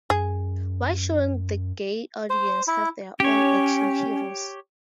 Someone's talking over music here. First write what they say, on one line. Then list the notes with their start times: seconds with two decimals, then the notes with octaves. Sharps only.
Why shouldn't the gay audience have their own action heroes?
0.10 F#2 G#4
2.30 C5
2.67 E4
3.20 C#4 G4 C#5